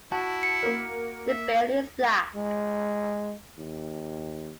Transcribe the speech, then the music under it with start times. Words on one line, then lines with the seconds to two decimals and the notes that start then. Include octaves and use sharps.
The bill is black.
0.12 E4 F#4 A5
0.43 C#7
0.63 A#3 A#4
1.28 E5
2.36 G#3
3.58 D#2